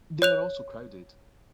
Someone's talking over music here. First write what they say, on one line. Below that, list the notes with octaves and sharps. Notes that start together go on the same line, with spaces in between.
They are also crowded.
C#5 F#6 F7